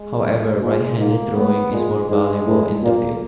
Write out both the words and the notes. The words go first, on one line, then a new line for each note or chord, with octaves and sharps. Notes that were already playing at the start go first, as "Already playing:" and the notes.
However, right-handed throwing is more valuable in the field.
Already playing: G#3
A#2 G#3
G#2 A#3
A2 B3
A#2 G#3
G#2 G#3
A2
A#2 A#3